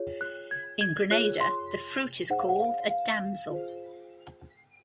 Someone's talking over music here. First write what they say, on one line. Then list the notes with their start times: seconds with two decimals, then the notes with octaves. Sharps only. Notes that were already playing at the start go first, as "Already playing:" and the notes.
In Grenada, the fruit is called a damsel.
Already playing: F4 G#4 C#5
0.21 F#6
0.51 G#6
0.81 G#6
1.11 F4 G#4 C#5 F#6
1.41 C6
2.30 D#4 G#4 C5 F#5
2.40 F5
2.49 F#5
2.60 F5
2.91 F5
3.50 F4 G#4 C5